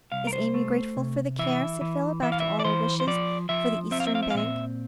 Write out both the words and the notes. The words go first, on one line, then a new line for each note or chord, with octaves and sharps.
'Is Amy grateful for the care,' said Philip, 'after all her wishes for the eastern bank?'
C2 F5
A#4
C5
A3
C3
E3 E5
E3
E3 E5
F5
E5
D5
E3 C5
C5
F3 D5
F3 E5
C4 E5
F5
E5
F5
E5
F5
A#2 E5